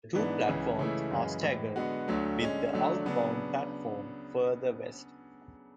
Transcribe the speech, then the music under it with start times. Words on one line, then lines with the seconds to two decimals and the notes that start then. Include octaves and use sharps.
The two platforms are staggered, with the outbound platform further west.
0.14 G#2 E3 B3 D4
0.47 C#2 C#3 E3
0.79 C#2 C#3 E3 A3 E4
1.11 F#2 C#3 E3 G#3
1.43 A2 E3 G#3
1.76 D3 G#3 B3 F#4
2.08 D2 D3 F#3 A3
2.40 D3 G#3 C#4
2.73 D3 F#3 A3 D4
3.06 C#3 F#3 B3 D4